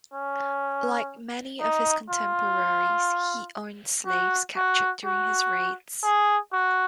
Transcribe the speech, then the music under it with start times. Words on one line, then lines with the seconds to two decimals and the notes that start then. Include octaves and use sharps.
Like many of his contemporaries, he owned slaves captured during his raids.
0.14 C#4
1.61 D#4
2.10 F4
4.06 F#4
4.56 F#4
5.05 F#4
6.03 G#4
6.52 F#4